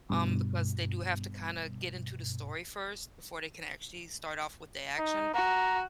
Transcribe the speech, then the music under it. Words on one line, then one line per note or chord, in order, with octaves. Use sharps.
um, because they do have to kinda get into the story first before they can actually start off with the action,
G2 B2
D#4
F#4 A#5